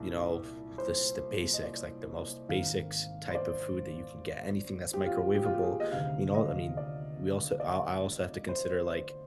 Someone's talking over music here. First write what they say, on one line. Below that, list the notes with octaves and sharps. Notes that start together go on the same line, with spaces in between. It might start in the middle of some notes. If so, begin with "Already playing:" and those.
you know, the s the basics, like, the most basics type of food that you can get. Anything that's microwavable, you know, I mean, we also, I I also have to consider, like,
Already playing: C2 A#2
C5
D#5
D5
G#1 G#2 D#3 F5
C5
D5
G4
F4
G4
F4
G4
G#4
D#5
D2 C3 D#3 F5
D#5
D5
D5
D#5
C5